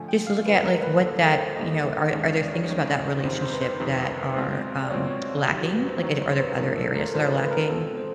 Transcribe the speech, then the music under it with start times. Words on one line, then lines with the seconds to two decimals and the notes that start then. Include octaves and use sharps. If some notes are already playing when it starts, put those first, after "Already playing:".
just to look at, like, what that, you know, are are there things about that relationship that are, um, lacking? Like, is there are there other areas that are lacking?
Already playing: D3 F3 A3 G#5
0.09 G5
0.27 F5
0.46 D3 F3 A3 B4
0.64 A#4
0.83 B4
1.01 D#2 D3 G3 A#3 A4
1.20 A#4
1.38 C5
1.57 D#2 D3 G3 A#3 D#5
1.85 E5
2.01 F#5
2.12 D#2 D#3 G#3 C#4 F5
2.26 D#5
2.40 D5
2.55 C#5
2.68 D#2 D#3 G#3 C#4
3.23 F2 C3 D#3 C5
3.42 C5
3.53 B4
3.62 C5
3.80 F2 C3 D#3
4.36 B2 G#3 C4 F4
4.84 D5
4.91 B2 G#3 C4 F4 C#5
5.10 C#5
5.46 D#2 D#3 F#3 G4
5.61 F#4
5.74 B4
5.89 C5
6.02 D#2 D#3 F#3 C#5
6.21 C5
6.32 C5
6.40 B4
6.58 G#2 F3 A3 D4 F4 A#4
6.76 A4
6.96 A#4
7.14 G#2 F3 A3 D4 F4 C5
7.32 B4
7.45 B4
7.51 A#4
7.69 B2 G#3 C4 F4 A4
7.97 C5